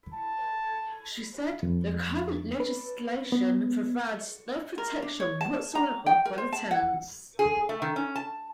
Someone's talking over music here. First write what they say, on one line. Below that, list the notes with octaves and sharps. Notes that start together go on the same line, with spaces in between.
She said, The current legislation provides no protection whatsoever for the tenants.
A5
F2
B4
B3
A#4
D4
C#5
A5
A#5
G5
A#4
C5
A5
F#5
G#4
A3
D#3
C#4
A5